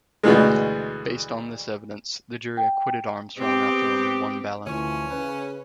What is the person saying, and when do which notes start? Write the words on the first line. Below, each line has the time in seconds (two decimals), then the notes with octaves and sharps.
Based on this evidence, the jury acquitted Armstrong after only one ballot.
0.23 D2 B2 E3 G#3
2.57 G5
3.38 B3 C4 G4
4.66 D2 E3 F3 C#4 C#6
5.10 C#3 B4